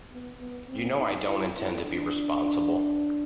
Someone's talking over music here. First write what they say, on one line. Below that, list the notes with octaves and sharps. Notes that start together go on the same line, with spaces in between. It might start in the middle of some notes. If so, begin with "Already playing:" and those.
You know I don't intend to be responsible.
B3
B3
C4
D#4
E4
E4
D4